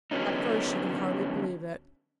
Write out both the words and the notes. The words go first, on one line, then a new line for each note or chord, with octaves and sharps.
At first she could hardly believe it.
D3 F#3 B3 C#4 D#4